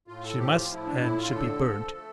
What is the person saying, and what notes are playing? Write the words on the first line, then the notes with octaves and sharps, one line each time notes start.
She must and should be burnt.
A2 F4
A4
F3 G4
F4
A2 E4
D4
A2 E4
F4
D3 A4
F3
A3